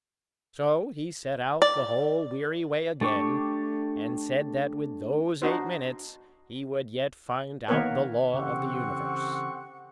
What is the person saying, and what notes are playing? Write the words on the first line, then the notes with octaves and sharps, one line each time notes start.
So he set out the whole weary way again, and said that with those eight minutes he would yet find out the law of the universe.
D5
A3 D4 G4 C#6 D6
D4 D#4 F#4 C5
D#3 A#3 B3 A#4 B4 C#5
C#3 E3 C4 G4 A4 F#5 C#6